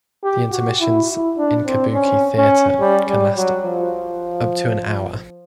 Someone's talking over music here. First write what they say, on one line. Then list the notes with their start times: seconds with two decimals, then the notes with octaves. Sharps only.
The intermissions in Kabuki theatre can last up to an hour.
0.24 G4
0.52 F#4
0.81 E4
1.09 E4
1.38 D4
1.66 C4
1.94 C#4
2.37 C#4
2.80 G3
3.09 G3
3.37 F#3
3.65 F3